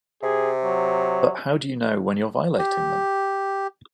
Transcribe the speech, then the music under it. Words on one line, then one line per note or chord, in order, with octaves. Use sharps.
But how do you know when you're violating them?
C3 G#4
F#3
G4